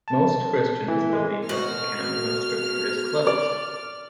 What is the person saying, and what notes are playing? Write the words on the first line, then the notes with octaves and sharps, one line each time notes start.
Most Christians believe that the canon of scripture is closed.
A5
E3
G#3
B2 F#4 F6
D5